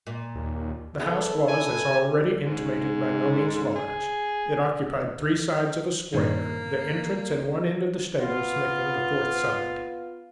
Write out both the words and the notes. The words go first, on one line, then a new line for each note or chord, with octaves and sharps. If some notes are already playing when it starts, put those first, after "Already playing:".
The house was, as already intimated, by no means large; it occupied three sides of a square, the entrance and one end of the stables making the fourth side.
A#2
D#2
B3 G#4 A4 E5
E4 G#5
G4
G#2
G#4
G2 A#2 D#3 A#3
B3 F4